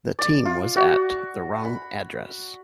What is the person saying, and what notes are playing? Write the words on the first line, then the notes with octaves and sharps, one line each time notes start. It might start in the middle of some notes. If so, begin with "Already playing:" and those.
The team was at the wrong address.
D5
F4
F#4
B5